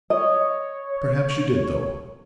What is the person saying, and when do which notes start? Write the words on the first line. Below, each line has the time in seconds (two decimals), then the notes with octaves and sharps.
Perhaps you did, though.'
0.10 C#5 D#5